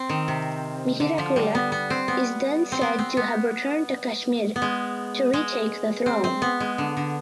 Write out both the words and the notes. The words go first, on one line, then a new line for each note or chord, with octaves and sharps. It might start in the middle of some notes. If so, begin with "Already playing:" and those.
Mihirakula is then said to have returned to Kashmir to retake the throne.
Already playing: C4
D#3
C3
D3
F3
G3
B3
B3
C4
B3
C4
B3
C4
B3
B3
G#3
G#3
C4
C4
B3
G#3
D3
D3